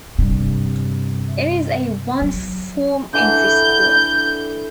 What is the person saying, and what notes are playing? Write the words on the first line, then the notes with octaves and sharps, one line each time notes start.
It is a one form entry school.
G2 C3
F#3
D3 E3 G6